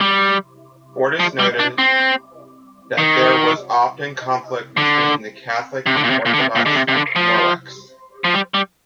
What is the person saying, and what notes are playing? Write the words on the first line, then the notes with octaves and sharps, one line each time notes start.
Fortis noted that there was often conflict between the Catholic and Orthodox Morlachs.
G3
F3
G3
D4
C4
D#3
D3
C3
D3
A#2
C3
A#2
D3
C3
A#2
D3
C3
C3
D3
F3
F3
G3
G3